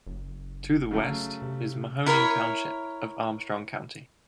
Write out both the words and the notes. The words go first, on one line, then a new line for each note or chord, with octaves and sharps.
To the west is Mahoning Township of Armstrong County.
F#1
C#3 F#3 A3
C3
E4 A#4 C5 C#5